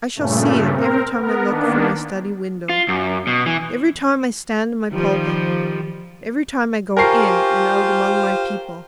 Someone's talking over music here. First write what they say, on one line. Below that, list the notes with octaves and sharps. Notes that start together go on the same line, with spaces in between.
I shall see it every time I look from my study window--every time I stand in my pulpit--every time I go in and out among my people.
G2 A#2 C#3 A3
C4 A#4
B3 A#4
D#3 A#3 B3 D4
F4
F#2
B2
E3
D#3 F3 G3
F4 G4 A#4 C5 G#5 A5 C#6 C7